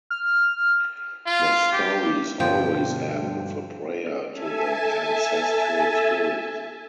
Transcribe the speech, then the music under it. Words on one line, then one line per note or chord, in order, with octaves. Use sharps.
The stories always end with a prayer to the ancestral spirits.
F6
F4
G4
G2 B2 D3 F3 G5
A4 E5 G#5 A5